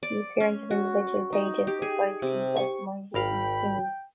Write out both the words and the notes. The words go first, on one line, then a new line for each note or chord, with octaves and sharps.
The appearance of individual pages and sites can be customized using skins.
D5
C#4
F#4
D#4
G4
G#4
C3
C#6
G#1 A#4 F5 G5 B5